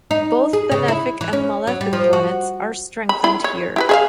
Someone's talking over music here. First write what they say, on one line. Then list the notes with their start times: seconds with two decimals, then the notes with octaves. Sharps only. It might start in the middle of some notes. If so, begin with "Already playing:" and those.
Both benefic and malefic planets are strengthened here.
0.11 D#4
0.53 G#4
0.72 C#3
0.88 E4
1.21 E3
1.33 C#4
1.67 F#3
1.81 G3
1.93 F3
2.13 F#4
3.09 B5
3.24 E4 B5
3.44 C#5
3.76 E4 G4 B4
3.89 G#4 E5 F5